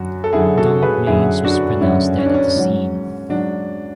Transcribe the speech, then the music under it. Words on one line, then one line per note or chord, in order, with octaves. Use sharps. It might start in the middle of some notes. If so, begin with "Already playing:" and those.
Donald Manes was pronounced dead at the scene.
Already playing: F#2 D3 F#3 F#4
A4
F#2 D3 F#3 E4 G#4
F#4 A4
G#4 B4
F#2 D3 F#3 E4 G#4
D4 F#4
F#2 D3 F#3 C#4 E4
C#4
D4
C#4
G#2 F#3
G#2 F#3 D4